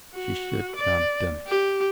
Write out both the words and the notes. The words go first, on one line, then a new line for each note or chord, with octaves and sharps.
She should not have done it.
F#4
D5
G4